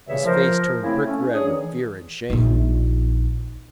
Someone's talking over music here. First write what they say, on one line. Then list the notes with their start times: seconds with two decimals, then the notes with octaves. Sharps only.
His face turned brick-red with fear and shame.
0.08 G2 C#3 E3 A#3 C#5 E5
0.25 F3 A#4 C5
0.83 C#3 A3 A#3 C4 E4
1.07 A3 C#4
1.32 D4 G#4 C#5
1.47 D#3 E3
2.30 A#1 D#4